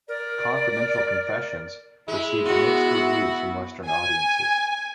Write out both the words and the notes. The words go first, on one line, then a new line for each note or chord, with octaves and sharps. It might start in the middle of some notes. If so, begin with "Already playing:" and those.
"Confidential Confessions" received mixed reviews from Western audiences.
A#4 D5
G#3 E4
B3 F#4
G#5